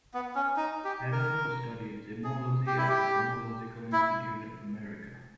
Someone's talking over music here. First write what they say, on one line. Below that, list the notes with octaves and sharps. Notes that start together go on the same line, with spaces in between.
Adamo studied gemology at the Gemological Institute of America.
B3
C#4
D#4
G4
A#4
G#4
G4
E4
G4
E4